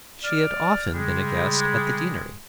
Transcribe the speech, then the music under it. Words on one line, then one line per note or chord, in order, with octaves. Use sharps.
She had often been a guest at the deanery.
D5 F6
C#3 G3 G#3